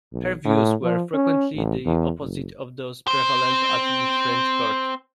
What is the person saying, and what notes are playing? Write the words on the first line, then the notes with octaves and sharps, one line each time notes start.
Her views were frequently the opposite of those prevalent at the French court.
B1
A2
F3
C#4
A1
E2
F#1
C4 C5